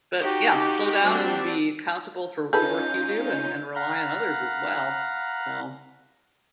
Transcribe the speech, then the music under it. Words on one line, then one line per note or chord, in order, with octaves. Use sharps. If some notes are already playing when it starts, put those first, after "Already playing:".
but, yeah. Slow down and be accountable for the work you do and and rely on others as well, so
D#4 F#4 G4
G3 C4 D4 F#4
C#4 D#4 F4 G#4 A4 B4 G6
F5 F#5 A#5 B5